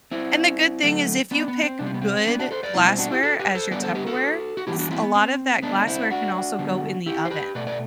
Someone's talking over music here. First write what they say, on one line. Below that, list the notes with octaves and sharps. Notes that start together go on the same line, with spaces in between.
And, the good thing is, if you pick good glassware as your Tupperware, s a lot of that glassware can also go in the oven.
C4 E4
D3 F#3 A3
B3 D4
B3
C4
C3 G3 B3 D4
C4
B3
C4
B3 D4
D4 F#4
A4 C5
B4 D5
B2 G3 B3 C4 E4
C4 E4
D4 F#4
E4 G4
F#4 A4
G4 B4
A4 C5
D3 G3 B3 B4 D5
A4 C5
G4 B4
F#4 A4
F#4
A2 E3 G3 B3 E4 G4
D4 F#4
C4 E4
B3
C4
D3 A3 B3 D4
C4 E4
D4 F#4
D3 G3 B3
E4 G4
C5
G4 B4
B2 A3 B4 D5
B4 D5